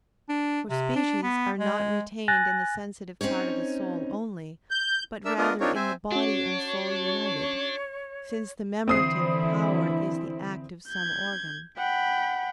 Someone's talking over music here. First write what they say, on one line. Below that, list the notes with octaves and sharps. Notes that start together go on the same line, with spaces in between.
For species are not retained in the sensitive part of the soul only, but rather in the body and soul united: since the memorative power is the act of some organ.
D4
C3
D4
B3
G#3
G#5 F#6 A6 A#6
C4 C#4 D#4 C#5
G6
D4 A#4 E5 E6
B3 D4 F4 A#4 D#5
C4 D4 D#4 F4 A#4 C#5
C4 C5 E5 G#5
C#4 D4 F#4 C#5
D3 E3 C4 E4 D#6 C7
G6 G#6
F#5 G5 B5